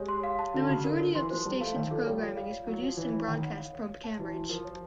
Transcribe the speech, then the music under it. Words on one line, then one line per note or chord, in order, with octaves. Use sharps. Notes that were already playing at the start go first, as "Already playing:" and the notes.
The majority of the station's programming is produced and broadcast from Cambridge.
Already playing: G#3 G4 C#5
C6
F5
A5
D3 F#4
C#3 F#4
D3 A#4
A#4
E3 C6
F3 C5
G3 A5
A3 F5
D#3 C#5
F3 A4
G3 C#5
F4
F5
C#5
F#3 E4
F3 C#5
E3 C#5
B5
D#3 F#5
C#5
F5
C#5
C#5
A5
E3 F#4
F#4
F3 A#4
C#5